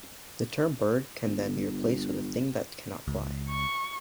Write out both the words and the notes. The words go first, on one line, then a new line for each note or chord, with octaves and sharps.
The term 'bird' can then be replaced with a thing that cannot fly.
G1
C#2
C#6